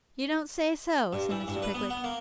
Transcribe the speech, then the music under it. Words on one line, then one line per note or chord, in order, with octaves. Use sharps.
'You don't say so?' said Mr. Pickwick.
G2
E3
G2
B4
B3
B3
A#3